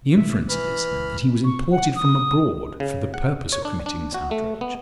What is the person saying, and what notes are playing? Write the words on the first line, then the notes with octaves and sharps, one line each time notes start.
The inference is that he was imported from abroad for the purpose of committing this outrage.
B2 D#3 G3 E5
E3 B4 B5 F6
D#1 C#2
C#6
F#5
D#6
C#3
F#5
C#5
D4
D4
F#4
A3
B3